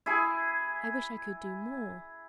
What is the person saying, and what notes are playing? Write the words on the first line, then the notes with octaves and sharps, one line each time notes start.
'I wish I could do more.'
E4 G#4